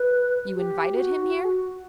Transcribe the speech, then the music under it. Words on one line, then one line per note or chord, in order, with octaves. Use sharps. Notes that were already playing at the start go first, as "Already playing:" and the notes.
You invited him here?
Already playing: B4
G4
F#4